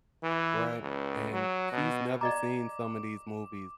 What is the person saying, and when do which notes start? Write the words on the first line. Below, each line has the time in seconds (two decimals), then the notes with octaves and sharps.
E Right, and she's never seen some of these movies,
0.23 E3
0.81 C#2
1.33 F#3
1.72 B2
2.21 D5 D#5 A#5 D6